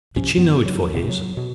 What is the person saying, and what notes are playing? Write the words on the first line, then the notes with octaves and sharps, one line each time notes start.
Did she know it for his?
C2 C3 F3 C#4
F#2 B3
F#3
D1 C3
F#3
B2